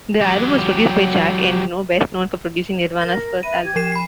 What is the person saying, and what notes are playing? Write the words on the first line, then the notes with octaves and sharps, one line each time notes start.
The album was produced by Jack Endino, best known for producing Nirvana's first album.
F#3 G4
A#4 A#6
B4 E5 B5 D#7
G4 G#6
F3 C7 E7
B5 C7